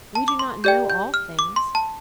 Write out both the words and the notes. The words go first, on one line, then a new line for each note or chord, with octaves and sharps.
We do not know all things.
A5
D6
C6
G4 D5 G5 G6
G6
F6
D6
C6
A5